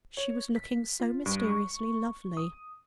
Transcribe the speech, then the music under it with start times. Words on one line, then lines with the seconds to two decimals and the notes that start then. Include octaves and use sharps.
She was looking so mysteriously lovely.
0.17 C#5
0.56 B6
1.00 F4
1.26 G2
1.49 C#6
2.37 D#6